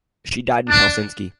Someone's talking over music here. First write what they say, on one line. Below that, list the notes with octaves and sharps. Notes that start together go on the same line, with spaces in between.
She died in Helsinki.
D4